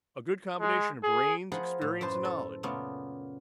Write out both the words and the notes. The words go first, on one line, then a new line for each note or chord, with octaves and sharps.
A good combination of brains, experience and knowledge.
G#3
G#4
F3 G#4 A#4 F#5 B5
A2
F#2 B4 C5 A5
A4
A#2 C#3 A3 B3